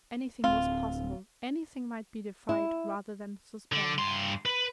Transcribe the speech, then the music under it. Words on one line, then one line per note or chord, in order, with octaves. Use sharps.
Anything was possible, anything might be defied rather than suspense.
D1 C4 F4
E4
D3
G2 C6
B4